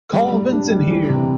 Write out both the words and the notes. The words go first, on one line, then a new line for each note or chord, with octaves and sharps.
Call Vincent here!
G3
G3
D4
G3
E3
C3